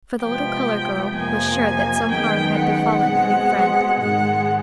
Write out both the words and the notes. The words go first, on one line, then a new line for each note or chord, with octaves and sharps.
For the little colored girl was sure that some harm had befallen her new friend.
C3 F3 G#3 B3 G5
F2 C3 F3 A#3 G#5
F#2 D#3 G#3 B3 G5
F#5
B2 G#3 C4
G#2 D#3 G#3 F#5